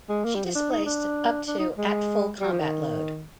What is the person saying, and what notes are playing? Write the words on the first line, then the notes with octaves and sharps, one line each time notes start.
She displaced up to at full combat load.
G#3
A#3
G3
F3
D4
D#4
D4
D4
D#4
G#3
G3
F3
D#3